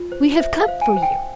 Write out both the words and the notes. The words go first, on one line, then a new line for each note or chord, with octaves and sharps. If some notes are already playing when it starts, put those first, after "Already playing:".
"We have come for you."
Already playing: F4
C5
C5 E5
F5
C5
G#5
C5
G5